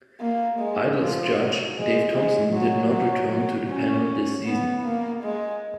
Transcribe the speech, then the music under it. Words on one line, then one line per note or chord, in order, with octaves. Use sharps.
Idols judge Dave Thompson did not return to the panel this season.
A#3
G#3
F3
F#3
G#3
G#3
F#3
F#3
F#3
C#4
B3
A#3
G#3